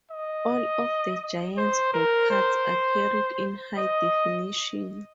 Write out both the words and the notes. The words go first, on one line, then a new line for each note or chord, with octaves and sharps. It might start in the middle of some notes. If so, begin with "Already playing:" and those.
All of the Giants broadcasts are carried in high definition.
D#5
C5
A#4
C5
D#5